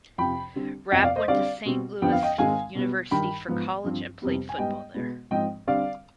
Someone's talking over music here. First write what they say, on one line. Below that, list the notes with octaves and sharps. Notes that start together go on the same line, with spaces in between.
Rapp went to Saint Louis University for college and played football there.
F2 C3 F3 G5 B5
D3 G3 C4
F2 C3 F3 B3 D#5 G5
D5 F5
C5 D#5
D3 G3 C4 D5 F5
B2 G3 C4
F2 D3 F3 B3 G5
F5
D#5 G5
G#2 D#3 G#3 C4 F5 G#5
B2 G3 B3
G2 D#3 G3 G5 B5
G#2 F3 B3
G2 F3 C4
F2 C3 G3 B3
G#5
G#2 G3 B3 D#5 G5
B2 G#3 B3
G#2 F3 C4 D#5 G5
D3 G3 C4 D5 F5